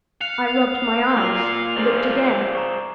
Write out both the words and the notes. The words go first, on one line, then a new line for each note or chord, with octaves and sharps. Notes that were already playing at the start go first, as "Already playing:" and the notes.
I rubbed my eyes; looked again.
F5 F#6 C#7 F7
A#3 F4 A#4 D6 E6 C7
G#4 C5 D5
A#5 C#6